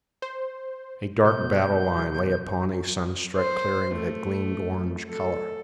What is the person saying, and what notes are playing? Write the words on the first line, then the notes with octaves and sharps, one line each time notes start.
A dark battle line lay upon a sunstruck clearing that gleamed orange color.
C5
B2 G6
C5
A3
A4